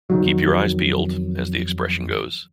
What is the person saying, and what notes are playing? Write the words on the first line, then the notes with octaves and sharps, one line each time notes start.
"Keep your eyes peeled", as the expression goes.
F2 D#3 F#3